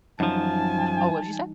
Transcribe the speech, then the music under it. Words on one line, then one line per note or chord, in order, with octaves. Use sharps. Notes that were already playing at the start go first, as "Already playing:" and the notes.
Oh, what did you say?
F#2 E3 F3 G3 D#4 G#5 A5